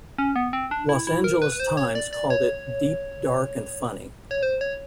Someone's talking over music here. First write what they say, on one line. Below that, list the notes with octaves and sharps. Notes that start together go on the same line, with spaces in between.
"Los Angeles Times" called it "deep, dark and funny".
C#4
B3
C4
D4
E4
E4
A#4
B4
B4
C5
C#5
D5
D5
C#5
C#5
C5
C#5